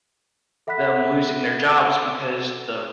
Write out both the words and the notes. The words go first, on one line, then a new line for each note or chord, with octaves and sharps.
them losing their jobs because the
A4 E5 F#5 B5 F#6 B6